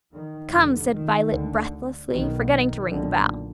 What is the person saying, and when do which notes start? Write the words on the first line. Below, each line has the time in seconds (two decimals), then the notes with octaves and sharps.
"Come," said Violet breathlessly, forgetting to ring the bell.
0.11 D#3
0.51 F1 F2 D3
0.91 D#3
1.31 D2 D3
2.11 B1 B2 D#3
2.50 D#3
2.91 B1 A#2 D3